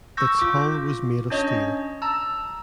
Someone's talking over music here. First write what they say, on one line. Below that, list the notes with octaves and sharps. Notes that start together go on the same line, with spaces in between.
Its hull was made of steel.
C#6 E6 G6 A#6
F4 D6
C#4 D4 C#5 D#5
A5 A#5 E6